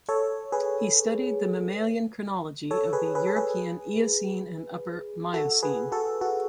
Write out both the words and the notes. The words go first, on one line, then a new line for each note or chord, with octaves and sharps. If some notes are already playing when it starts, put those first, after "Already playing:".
He studied the mammalian chronology of the European Eocene and Upper Miocene.
A4 C#5
G#4 B4
A4 C#5
G#4 B4
G#4 B4
A4
G#4 B4
F#4 A4
G#4 B4
F#4 A4
F#4 A4